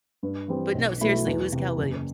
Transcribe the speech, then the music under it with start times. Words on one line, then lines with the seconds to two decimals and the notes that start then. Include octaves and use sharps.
But, no, seriously, who's Cal Williams?
0.23 G2
0.48 E3 G3 C4
0.74 B1
1.01 B2 F#3 A3 E4
1.26 E2
1.52 C3
1.58 E3
1.78 F#1